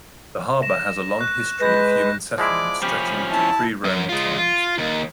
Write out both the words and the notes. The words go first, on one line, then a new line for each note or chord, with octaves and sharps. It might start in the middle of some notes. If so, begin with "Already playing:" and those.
The harbour has a long history of human settlement stretching to pre-Roman times.
A#6 E7
C#6 F#6
G#3 B4 G6 A#6
F3 G#3 E4 D5
F3 C#4 G4 B5
E4 A5
F#2
G#3 F4
F4
D#2